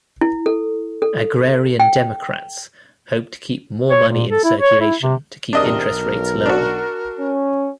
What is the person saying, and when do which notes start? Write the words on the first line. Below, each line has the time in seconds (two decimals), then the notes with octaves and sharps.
Agrarian Democrats hoped to keep more money in circulation to keep interest rates lower.
0.21 E4
0.46 A4
1.02 A4
1.80 G5
3.91 C#5
4.09 A#2
4.30 A4
4.44 E4
4.60 C#5
4.81 E4
5.02 C3
5.53 E2 C3 D4 A#4 D#5 D#6
5.87 B1
6.46 D4 F#4
7.18 C#4